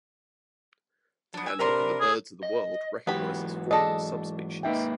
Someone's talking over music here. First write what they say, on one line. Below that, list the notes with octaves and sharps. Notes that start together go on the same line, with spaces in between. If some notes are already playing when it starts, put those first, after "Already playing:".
The Handbook of the Birds of the World recognises four subspecies.
B3 D4
G#5 E6
C3 D4 A#4 B4 A#5 C6
G#4
D#5
G#2 E3 F#3 B3 G4 G5 B5
D4 G#4 A4 D#5
G#2 A#3 D#4 B4 E5 G5